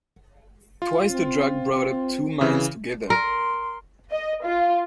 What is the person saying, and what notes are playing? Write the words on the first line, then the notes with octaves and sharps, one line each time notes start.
Twice the drag brought up two mines together.
F4
C4
C#3 E3
A#4 C6
D#5
F4